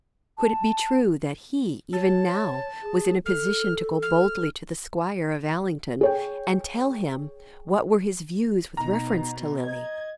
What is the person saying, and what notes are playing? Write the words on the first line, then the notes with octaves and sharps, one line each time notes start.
Could it be true that he, even now, was in a position to go boldly to the Squire of Allington, and tell him what were his views with reference to Lily?
A5
C#5 A5
G#4
A4 F6
F6
G#4 C#5 G5
B2 D#4 A#5
D#5 G#6